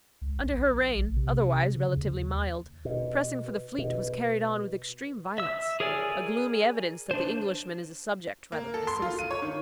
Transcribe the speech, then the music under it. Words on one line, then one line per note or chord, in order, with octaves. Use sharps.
Under her reign, otherwise relatively mild, pressing for the fleet was carried on with extreme violence--a gloomy evidence that the Englishman is a subject rather than a citizen.
C#2
A#1
A#1
C3
C#3
D#2
B2
B2
E5 E6
G#4 A#4 C#5 D5 G#5
D4 C5
A#3
A4
C6
F4
D#7
C#5
D#3